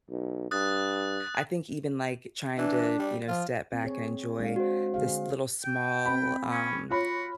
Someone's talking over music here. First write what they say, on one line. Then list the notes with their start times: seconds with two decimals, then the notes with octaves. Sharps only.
I think even, like, trying to, you know, step back and enjoy this little small, um,
0.10 B1
0.51 G2 D#6 F#6 A6
2.58 E3 D4
2.99 G3
3.28 F3 F4
3.72 C4
3.84 G#4 C#5
4.40 G#3 D4 F5
4.56 F#4 C5
4.94 D3 G#4 F5
5.64 G5
6.06 C4 B5
6.51 C#4
6.90 F4 F#4 C#5 B5